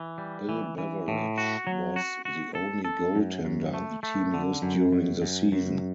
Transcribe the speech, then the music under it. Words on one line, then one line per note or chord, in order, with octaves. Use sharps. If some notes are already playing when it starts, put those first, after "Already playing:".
Bill Beveridge was the only goaltender the team used during the season.
Already playing: E3
G3
E3
E3
A2
F#4
F#3
F#4
F#4
A4
A4
F#2
F#2
A3
A3
D3
F#2
F#2
F#2
F#2